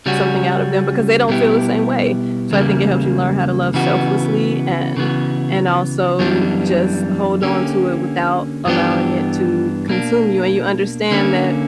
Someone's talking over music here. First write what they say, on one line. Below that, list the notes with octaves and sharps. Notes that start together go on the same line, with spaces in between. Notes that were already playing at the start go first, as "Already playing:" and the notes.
something out of them because they don't feel the same way. So, I think it helps you learn how to love selflessly and and also just hold onto it without allowing it to consume you, and you understand that
C#3 G3 C#4 F#4
B2 G3 B3 E4 G4
E2 C#3 G3 A#3
C#3 E3 B3 F#4
C#3 E3 B3 F#4
F#2 E3 G3 B3 D4
D3 A#3 C#4 G4
G2 E3 B3 D4 G4
B2 A#3 D4
D3 A#3 C#4